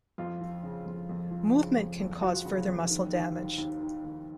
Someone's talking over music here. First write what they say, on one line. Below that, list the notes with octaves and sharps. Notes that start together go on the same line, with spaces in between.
Movement can cause further muscle damage.
F2 F4
F3
C#3
F2
F2
F3
C#3
F2
F2
F3 F#4
C#3
F2
D#3
D#2
D#3
D#2
D#3
D#2